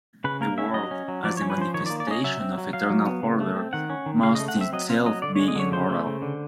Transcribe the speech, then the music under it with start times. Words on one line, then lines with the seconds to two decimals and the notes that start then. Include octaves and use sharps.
The world, as the manifestation of eternal order, must itself be immortal.
0.24 C#3 B4
0.41 A#3 A#4
0.58 C#4 E5
0.74 F#3 D#5
0.91 C#4
1.08 F#3
1.24 F3 D5
1.37 C#5
1.42 C#4
1.50 B4
1.58 F3 C5
1.74 D#3 C#5
1.86 D5
1.90 A#3
2.00 D5
2.07 C#4 D#5
2.24 F#3 E5
2.40 C4
2.58 F#3
2.73 F#3 F5
2.90 F#3
3.06 B3
3.23 C#3
3.40 A3
3.56 C4
3.73 D#3 F#5
3.90 C#4
4.06 D#3
4.23 C#3 F5
4.35 D#5
4.40 A3
4.48 F#5
4.56 C4 E5
4.73 F#3 D#5
4.89 C4 F5
5.05 F#3 D#5
5.22 D3 D5
5.35 C#5
5.39 G#3
5.48 D#5
5.55 D3 C#5
5.72 C#3 C5
5.89 A3
6.06 C#3
6.22 D3